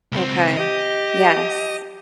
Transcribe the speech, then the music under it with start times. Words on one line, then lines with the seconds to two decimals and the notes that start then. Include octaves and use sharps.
Okay. Yes.
0.12 C#2 C4
0.57 G4 D#5